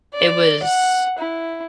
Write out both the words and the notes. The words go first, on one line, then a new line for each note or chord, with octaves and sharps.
It was
D5
F#5
E4